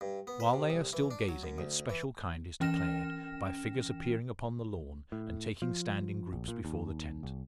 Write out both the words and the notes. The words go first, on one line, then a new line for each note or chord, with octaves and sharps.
While they are still gazing its special kind is declared, by figures appearing upon the lawn and taking stand in groups before the tent.
G2
B3
B4
C3
C2
E3
D4
F#3
F#2
D2
E3
E3 C#4 G5 F6 A#6 E7
A2
F3
A#1
A#2
D#2
C2